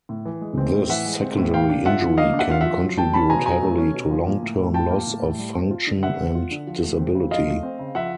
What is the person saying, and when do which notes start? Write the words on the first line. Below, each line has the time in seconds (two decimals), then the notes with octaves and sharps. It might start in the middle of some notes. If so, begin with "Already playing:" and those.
This secondary injury can contribute heavily to long term loss of function and disability.
0.09 A2
0.26 E3
0.41 G#3
0.58 C4
0.73 A2
0.89 E3 E5 F#5
1.05 G#3
1.22 C4
1.37 A2
1.54 A#3 F5 G5
1.69 D4
1.85 F4 E5 F#5
2.02 F3
2.17 A#3 D#5 F5
2.34 D4
2.39 E5 F#5
2.50 F4 F5
2.61 E5 F#5
2.66 F3
2.82 F#3
2.97 A3 G5 A5
3.14 C#4 A5 B5
3.30 B2 G#5 A#5
3.46 F#3 G#5 A#5
3.62 A3
3.78 C#4
3.94 B2
4.11 F3
4.26 A#3
4.42 A2
4.58 A2
4.74 F3 G5 A5
4.90 A#3
5.07 A2
5.22 A2
5.38 G3
5.55 C4
5.71 F4
5.87 D3
6.03 G3 E5 F#5
6.19 C4
6.35 F4
6.51 D3
6.67 F3
6.83 A3
6.99 C4
7.15 C#3
7.31 F3 D#5 F5
7.48 A3
7.63 C4
7.79 C#3
7.95 F3 E5 F#5